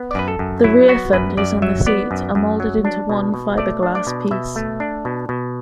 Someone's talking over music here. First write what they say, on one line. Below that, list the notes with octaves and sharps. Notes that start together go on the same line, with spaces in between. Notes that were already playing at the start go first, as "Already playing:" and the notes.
The rear fenders and seat are molded into one fiberglass piece.
Already playing: B3
D5
F#2 B4
A4
F#2
F#3 E4
B3 F#4
F#2 B4
F#2 D5
F#3 E5
B3 D5
F#2
F#2
F#3
D4
B2
B2
A3 D5
D4
D5
B2
B2 E5
A3
D4
B2
B2